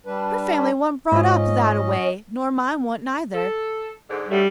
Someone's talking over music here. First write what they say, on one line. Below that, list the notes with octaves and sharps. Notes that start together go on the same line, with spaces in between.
Her family wa'n't brought up that-a-way, nor mine wa'n't neither.
G3 D4 B4
G#2 C#4 F4 D#5
A4
G#2 D3
D3 F#3 G3 A3